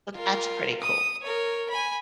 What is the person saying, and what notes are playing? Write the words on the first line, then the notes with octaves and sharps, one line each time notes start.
So, that's pretty cool.
F4 A#4
D#6
A#4 C#5
G#5 B5